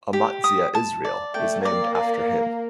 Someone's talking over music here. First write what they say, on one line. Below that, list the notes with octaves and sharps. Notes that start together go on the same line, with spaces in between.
Amatzia, Israel is named after him.
G4
D#6
A5
D5
A3 G5
A#3 D5
D5